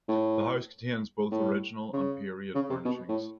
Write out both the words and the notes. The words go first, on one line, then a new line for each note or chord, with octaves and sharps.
The house contains both original and period furnishings.
A2
A2
C#3
C#3
C3
B2
A2